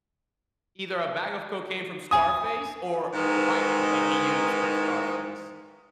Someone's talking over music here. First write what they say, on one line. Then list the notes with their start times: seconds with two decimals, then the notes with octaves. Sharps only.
either a bag of cocaine from Scarface or the rifle that he used from Scarface.
2.11 G#5 D#6
3.13 G#2 D#3 E3